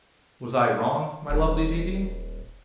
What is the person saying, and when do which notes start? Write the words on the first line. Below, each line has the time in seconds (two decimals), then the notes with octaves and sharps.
Was I wrong, my lovely Zizi?'
1.30 D#1